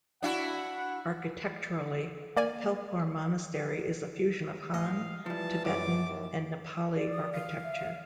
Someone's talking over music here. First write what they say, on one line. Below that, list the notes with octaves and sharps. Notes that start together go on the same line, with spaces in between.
Architecturally, Pelkhor monastery is a fusion of Han, Tibetan and Nepali architecture.
D4 E4 F#4 F#5
A#3 D5 G#5
A2 D#5 F5
E3 F3 G3 A5
F#2 D6
D#2
D5
D#6
F5
E5